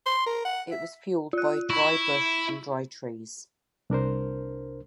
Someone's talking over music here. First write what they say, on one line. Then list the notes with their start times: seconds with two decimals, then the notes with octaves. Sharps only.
It was fueled by dry bush and dry trees.
0.06 C6
0.26 A#4
0.45 F#5
0.72 E5
1.33 F4 F#6
1.70 E4 B5 C#6
3.90 C2 D4 A#4 C5